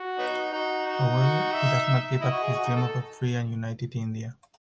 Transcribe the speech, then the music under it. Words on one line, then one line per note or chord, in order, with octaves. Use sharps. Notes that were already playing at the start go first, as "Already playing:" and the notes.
However, he does not give up his dream of a free and united India.
Already playing: F#4
F#3 B3 D#4
D#4 F#4
D#4
F#4
E5
E5
E4 D#5
F#4
G#4
F#4
D#4
A4